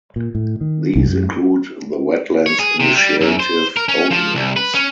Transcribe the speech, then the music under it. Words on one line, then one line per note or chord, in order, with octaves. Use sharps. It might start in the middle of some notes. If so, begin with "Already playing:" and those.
These include the Wetlands Initiative, Openlands.
A#2
A2
D#3
C2
F#2
C#5
G#4
C3
G3
F#2
C5
A#4
C#4
F3
C2
B4
C#4